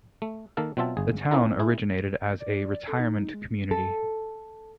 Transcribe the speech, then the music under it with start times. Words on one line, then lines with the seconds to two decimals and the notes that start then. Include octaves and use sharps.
The town originated as a retirement community.
0.22 A3
0.57 D#3 A#3 A4 F5
0.77 B2 F#3 C4 F4 E5 A5
0.97 G1 G#4
1.31 C4 C#4 D#4 E4 A4 A#4
1.59 E4 G#4
2.40 D5
2.88 A4
3.00 D#4
3.34 G#3
3.71 A4